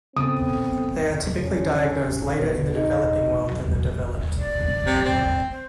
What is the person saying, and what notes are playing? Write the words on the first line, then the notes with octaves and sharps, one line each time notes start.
They are typically diagnosed later in the developing world than the developed.
C#3 B3 C4 A4 D#6
C#4
B2
D#4
D5
C3
C4
C5